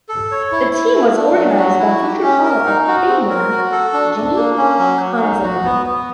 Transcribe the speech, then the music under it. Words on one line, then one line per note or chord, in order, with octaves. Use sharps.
The team was organized by future Hall of Famer, Jimmy Conzelman.
A4
C#5
E4
E4
A3
D4
F#3
F#4
E4
G4
C#4
A#4
D#4
F#4
C4
A#4
F#4
A4
D4
D4
A#3
C#4
F#3
F#3
D#4
F#4
B3
B3